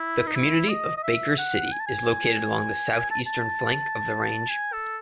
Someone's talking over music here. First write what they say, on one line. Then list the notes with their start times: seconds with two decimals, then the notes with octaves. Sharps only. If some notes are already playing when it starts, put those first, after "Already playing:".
The community of Baker City is located along the south-eastern flank of the range.
Already playing: E4
0.27 D#4
0.35 E4
0.69 D#5
0.97 D#5
1.03 E5
1.38 F#5
1.72 G#5
1.80 A5
1.87 G#5
3.11 A5
3.27 A5
4.49 G#5
4.73 A4